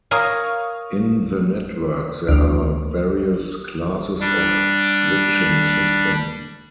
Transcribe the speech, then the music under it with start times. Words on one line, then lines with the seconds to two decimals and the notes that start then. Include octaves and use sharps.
In the network there are various classes of switching systems.
0.11 A#4 C#5 F5 G#5 C#6 D#6
2.28 D2
4.21 G3 D4